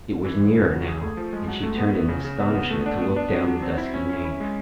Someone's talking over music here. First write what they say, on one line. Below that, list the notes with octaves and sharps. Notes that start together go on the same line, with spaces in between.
It was nearer now; and she turned in astonishment to look down the dusky nave.
E3
G#3
C#3
F#3
G#4
A3
F3
G#3
F#3
A3
B3
E4
C#3
C#3
B3
B3
A3
D4
B3
D4
F#3
F#3
C4
E4
C#4
C#4
E4
G#3